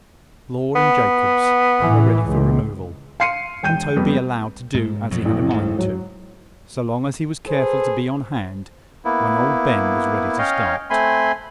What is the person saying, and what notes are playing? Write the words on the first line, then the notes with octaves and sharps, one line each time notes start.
Lord and Jacobs were ready for removal, and Toby allowed to do as he had a mind to, so long as he was careful to be on hand when Old Ben was ready to start.
B3
A2 E3
C#2
F5 C6 C7 C#7 D#7
E1 G5 G6 D#7
F2 G3 A3 B3
G#2
F2 B2 F#3
A1
D2 G#2
F#3
G#4 A4 B4 C5
A#3 B3 E4
C#4 C#5 D#5 F5 G5
A3 C4 G#5 B5 C6